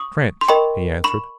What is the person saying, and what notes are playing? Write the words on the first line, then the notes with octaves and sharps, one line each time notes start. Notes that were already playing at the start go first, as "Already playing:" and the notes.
"Trench," he answered.
Already playing: C#6 D#6
C6
A#4 D#5 G5 B5 C#6
B5 C#6